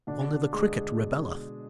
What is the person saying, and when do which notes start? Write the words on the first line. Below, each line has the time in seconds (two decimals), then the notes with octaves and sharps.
Only the cricket rebelleth.
0.07 B2 D3 D4
0.53 G#3 G#4
0.99 B2